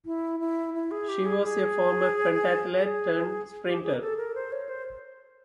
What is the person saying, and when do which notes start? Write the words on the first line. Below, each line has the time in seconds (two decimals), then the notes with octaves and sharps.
She was a former pentathlete turned sprinter.
0.05 E4
0.40 E4
0.74 E4
0.91 G#4
1.09 G4
1.26 G#4
1.43 G#4
2.80 G#4
3.66 G4
3.83 G#4
3.93 A#4
4.01 A4
4.17 A#4
4.35 C5
4.52 C#5
4.69 C5